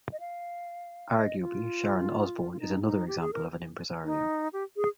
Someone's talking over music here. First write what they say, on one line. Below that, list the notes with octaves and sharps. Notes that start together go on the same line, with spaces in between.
Arguably, Sharon Osborne is another example of an impresario.
D#5
F5
D#5
F4
F4
D#4
D#4
G4
G#4
A#4
D#4
G4
G#4